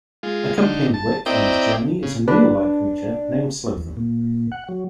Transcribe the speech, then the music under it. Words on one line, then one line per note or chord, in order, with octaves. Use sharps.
Accompanying Wik on his journey is a mule-like creature named Slotham.
G#3 F4
D3 D#4
A5
C4 E4 A#4 D5 D#5 G5
C#3
D4 B4
E2
A#2
F#5
F#3